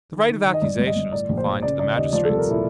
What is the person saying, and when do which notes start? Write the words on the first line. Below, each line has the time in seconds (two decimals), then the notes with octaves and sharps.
The right of accusation was confined to the magistrates.
0.12 D#3
0.29 D#3
0.45 D#3
0.54 D#5
0.62 G1 D5
0.79 G1
0.87 D#5
0.96 G1
1.12 A2 D5
1.29 A#1
1.37 C5
1.46 F3
1.62 C#3 D5
1.79 C#3 D5
1.96 D#2 D#5
2.13 F3 D5
2.25 C2 A4
2.38 A#4
2.46 A#2 E4